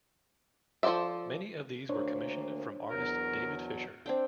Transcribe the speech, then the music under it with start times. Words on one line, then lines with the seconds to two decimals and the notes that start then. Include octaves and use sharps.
Many of these were commissioned from artist David Fisher.
0.83 F3 A4 C5 D5 E5
1.89 D2 A#3 D4 C5 C#5
2.90 E2 B2 F#3 A#4
4.06 C4 D4 G5